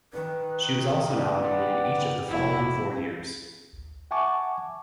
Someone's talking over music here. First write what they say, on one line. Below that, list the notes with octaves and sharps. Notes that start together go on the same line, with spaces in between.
She was also nominated in each of the following four years.
D#3 B4
B4 D5 F#5 G5
F1 D3 B3 E4 F#4
E5 F#5 G#5 A5 C#6 D6